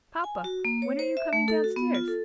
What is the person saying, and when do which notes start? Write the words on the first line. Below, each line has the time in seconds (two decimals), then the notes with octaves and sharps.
Papa, when are you coming down stairs?
0.24 G#5
0.44 F#4
0.65 A#3
0.82 C#5
0.99 C5
1.17 E5
1.33 A3
1.48 A4
1.64 F#4
1.76 B3
1.95 F4
2.08 A4